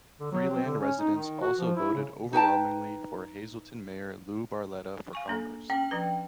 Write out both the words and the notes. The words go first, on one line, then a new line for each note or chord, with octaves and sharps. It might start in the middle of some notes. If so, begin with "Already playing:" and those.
Freeland residents also voted overwhelmingly for Hazleton mayor Lou Barletta for Congress.
D3
F#3
C4
D3
C#4
D#4
D#3
F#4
F3
E4
C#3
D#4 B4 G5 A5
F5 G#5 C#6
A#3 D4 A4
C#4 G5
F3 D4 B4